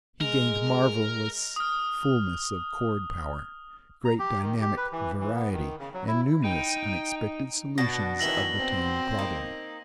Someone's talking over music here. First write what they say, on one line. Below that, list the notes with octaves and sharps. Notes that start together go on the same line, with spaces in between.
He gained marvelous fulness of chord power, great dynamic variety, and numerous unexpected solutions of the tone problem.
G#3 A#4
D#6 F6
A#5
G4
D#3
G4
B4
E3
E3
B3
D#3
C#3
F#3
E4
D#4 G5
B2 D4 F#4 A#6
D#3 E3 E5 A#6 F#7 G7
C4
A#3 D#4